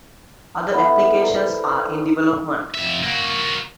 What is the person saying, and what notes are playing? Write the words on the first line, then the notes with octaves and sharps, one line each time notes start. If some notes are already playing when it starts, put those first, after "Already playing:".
Other applications are in development.
A3 B3 E4
A4 A#4 C5 D5
G5
F2 E5
A#3 F#4